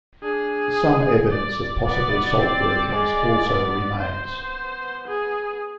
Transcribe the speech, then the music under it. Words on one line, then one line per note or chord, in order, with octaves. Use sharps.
Some evidence of possible salt workings also remains.
D4 G#4
D5
B3 D5
C4
G#3 D5
B3
B3 C5
G#4